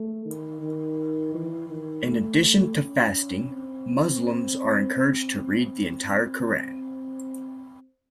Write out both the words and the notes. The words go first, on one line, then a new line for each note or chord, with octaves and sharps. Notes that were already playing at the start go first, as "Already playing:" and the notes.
In addition to fasting, Muslims are encouraged to read the entire Quran.
Already playing: A3
D#3
D#3
E3
D#3
A3
C#4
C4
C4